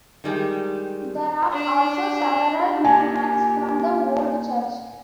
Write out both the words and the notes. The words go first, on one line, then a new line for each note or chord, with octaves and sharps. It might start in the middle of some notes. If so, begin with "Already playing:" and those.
There are also several monuments from the old church.
D#3 G3 G#3
D4
A#2 G4 G#5